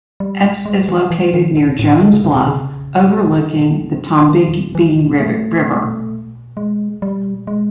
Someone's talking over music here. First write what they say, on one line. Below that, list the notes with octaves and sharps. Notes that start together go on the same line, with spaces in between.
Epes is located near Jones Bluff, overlooking the Tombigbee River.
G3
G#3
E3
E3
D#3
D3
A2
D3
C#3
C#3
C3
C#3
D3
D3
D#3
E3
A3
G#3
G3
G#3